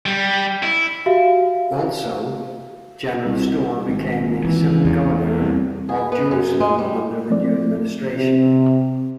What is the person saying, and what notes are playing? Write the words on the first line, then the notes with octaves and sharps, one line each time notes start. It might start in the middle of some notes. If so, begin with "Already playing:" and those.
Also, General Storr became the civil governor of Jerusalem under the new administration.
G3
E4
F#4 G4 E5 F5
C2
G#1
E3
E2
C2
G#4
B3
F#2
G#3
G3
F3 A3 C4 D5
C3